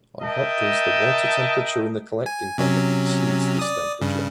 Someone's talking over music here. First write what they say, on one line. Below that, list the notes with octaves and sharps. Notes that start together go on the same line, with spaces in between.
On hot days the water temperature in the collecting pond exceeds this temperature.
A#4 D#5 E5 G5 A5
G#5
C3 F#3 C#4
D5 D#6
G2 C#3